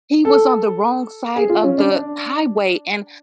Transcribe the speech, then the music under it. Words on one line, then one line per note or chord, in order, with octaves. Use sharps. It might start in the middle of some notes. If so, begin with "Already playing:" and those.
he was on the wrong side of the highway and
A4
G#4
F4
C#4
D4
D4